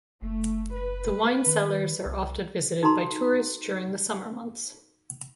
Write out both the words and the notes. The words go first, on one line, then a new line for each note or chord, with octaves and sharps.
The wine cellars are often visited by tourists during the Summer months.
F#1 A3
B4
D#3
C2
D#4 F#4 A4 A#5 C6